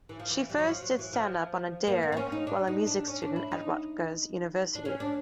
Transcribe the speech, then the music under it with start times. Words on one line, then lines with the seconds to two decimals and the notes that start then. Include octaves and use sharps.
She first did stand-up on a dare while a music student at Rutgers University.
0.09 E3
0.20 F3
0.30 E3
0.50 G3
0.59 F#3
0.68 F3
0.83 F#3
0.99 E3
1.13 F3
1.87 A#3
2.03 A#3
2.12 C4
2.17 C#4
2.32 D#4
2.47 D4
2.67 D#4
2.87 D4
3.07 C#4
3.22 D4
3.36 E4
3.51 D#4
4.75 D4
4.85 C#4
5.00 D4